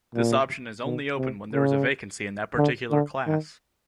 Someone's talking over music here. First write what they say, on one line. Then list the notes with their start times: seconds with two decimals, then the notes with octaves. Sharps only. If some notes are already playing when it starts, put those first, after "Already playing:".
This option is only open when there is a vacancy in that particular class.
0.15 A#2
0.84 B2
1.18 C3
1.53 C#3
2.57 D3
2.91 D3
3.27 D#3